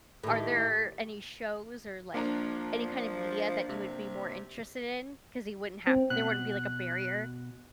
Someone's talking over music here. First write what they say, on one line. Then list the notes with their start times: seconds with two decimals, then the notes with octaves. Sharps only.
are there any shows or, like, any kind of media that you would be more interested in? 'Cause you wouldn't have there wouldn't be, like, a barrier?
0.23 A2 D#3 G4
2.14 F3 A#3 D4 A#5
3.69 C3
5.87 C4
6.10 B2 F#6